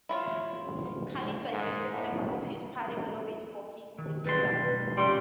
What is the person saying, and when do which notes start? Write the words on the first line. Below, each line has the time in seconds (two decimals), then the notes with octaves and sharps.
Khalid suggested members of his party lobbied for his dismissal.
0.09 E4 F4 C#5
1.52 G#2
1.92 A2
3.98 D#3
4.24 B1 G3 B4 C6
4.97 A#2 C#3 G3 D4 C6